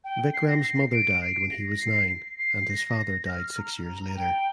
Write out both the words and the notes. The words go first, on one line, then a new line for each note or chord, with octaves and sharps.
Vikram’s mother died when he was nine and his father died six years later.
G5
C7
A#6
C7
D7
C7
A#6
C7
C7
C7
A#6
A#6
F6
A#5
G5